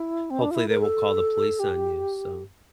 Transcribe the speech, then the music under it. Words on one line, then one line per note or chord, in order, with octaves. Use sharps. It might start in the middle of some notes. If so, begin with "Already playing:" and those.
hopefully they won't call the police on you, so
Already playing: E4
C4
D4
F4
E4
A#4
A4
G4